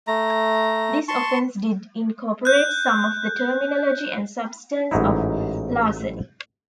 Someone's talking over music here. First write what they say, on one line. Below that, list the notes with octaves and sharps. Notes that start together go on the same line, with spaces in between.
This offence did incorporate some of the terminology and substance of larceny.
A3 A#5
A5 C6 C#6
F#6 G6
A1 G#2 F#3 D#4 E4